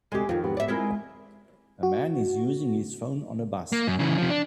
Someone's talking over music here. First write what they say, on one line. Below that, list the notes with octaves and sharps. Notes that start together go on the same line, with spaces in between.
A man is using his phone on a bus.
D2 C3 G#3 G4
F2 D#3 F4 C5
G#2 B3 G4
D5 E5
G#3 C4 E4 F4 G#4 A#4
F#4
A#3
F#2
C#3 E3
C3 F3
D4